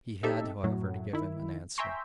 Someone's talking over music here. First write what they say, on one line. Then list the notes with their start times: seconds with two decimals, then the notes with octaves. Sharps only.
He had, however, to give him an answer.
0.23 C4 D#4 G4 A4 E5
0.63 F#2 A2 F#3
1.13 D#3 E4
1.78 E5 G5 G#5 A#5 C6 C#6